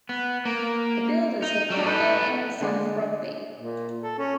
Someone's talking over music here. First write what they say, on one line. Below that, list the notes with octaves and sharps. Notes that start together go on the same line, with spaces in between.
The builders were Parnell and Son of Rugby.
B3
A#3
D#4
F#3 G3
A4 B4
D3 G#3 D5
A#2
A4
C#4